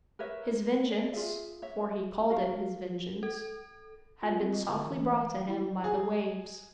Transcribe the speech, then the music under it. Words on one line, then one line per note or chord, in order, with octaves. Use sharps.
His vengeance--for he called it his vengeance--had been softly brought to him by the waves.
A#4 B4 C#5 E5
D5
F4 G#4 E5
C#5 E5
F#4 A#4 F5
A4
F4
C4
D#5
D3
E3
A3
F5
E4
G#4